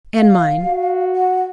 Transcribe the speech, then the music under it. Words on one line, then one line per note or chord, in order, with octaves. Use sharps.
"And mine."
F5
F#4
F#5